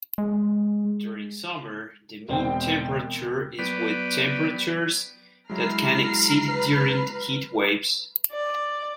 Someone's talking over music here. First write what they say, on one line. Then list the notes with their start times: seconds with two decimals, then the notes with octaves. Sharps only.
During summer, the mean temperature is with temperatures that can exceed during heat waves.
0.18 G#3
2.29 E1 C4 G5
3.59 F#3 B3 B4 D5 G5
5.50 F#3 G#3 E4 A#5 F6 C7
6.48 B4
8.31 D5